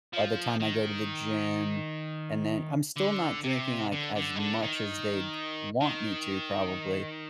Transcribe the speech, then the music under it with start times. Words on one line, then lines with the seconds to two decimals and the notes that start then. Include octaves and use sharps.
by the time I go to the gym, and then" I'm still not drinking, like, as much as they'd want me to, probably,
0.13 F3
0.60 D#3
2.97 D3
3.44 C3
3.92 D3
4.15 D3
4.35 D#3
4.39 D3
4.62 D#3
5.81 D#3